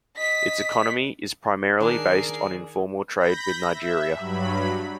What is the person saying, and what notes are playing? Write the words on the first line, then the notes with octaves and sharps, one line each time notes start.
Its economy is primarily based on informal trade with Nigeria.
D#5 B6
D#3 D4 G#4 A#4 G#5 C7
B5 G6 A#6
E5
G2 F#3 B5